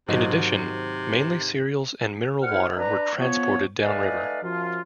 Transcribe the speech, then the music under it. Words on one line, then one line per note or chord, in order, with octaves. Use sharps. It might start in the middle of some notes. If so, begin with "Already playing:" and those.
In addition, mainly cereals and mineral water were transported downriver.
G#2 C3 D#3 F#3 D#4 D#5 F5
C2 C4 E4 F#5 F6
D4 B4 A#5
F3 B3 C#5
A3 D#4 B4 D5 F5 G#5
F#2 F3 F4